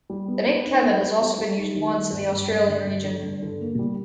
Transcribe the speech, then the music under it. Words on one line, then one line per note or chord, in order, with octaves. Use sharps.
The name Kevin has also been used once in the Australian region.
G3
B3
B3
D#4
B3
G3
G3
G3
D#4
D#3
G3
G2
G2
G2
D3
G2
D3
G2
D3
A#3
G3